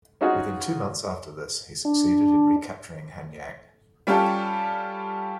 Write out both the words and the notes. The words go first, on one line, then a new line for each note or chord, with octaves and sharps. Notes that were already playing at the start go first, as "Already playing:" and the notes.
Within two months after this he succeeded in recapturing Hanyang.
C#4 D#4 F4 F#4 G#4
D4
G3 C#4 F4 G4 A4